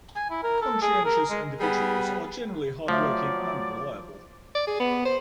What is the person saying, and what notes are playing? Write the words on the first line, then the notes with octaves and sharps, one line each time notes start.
Conscientious individuals are generally hard-working and reliable.
G#5
E4
A#4
A4
G#4
A#4
G#3
G3 B3 G#4
F3 F#3 A3 D5 E5
D5
G#4
B3
C5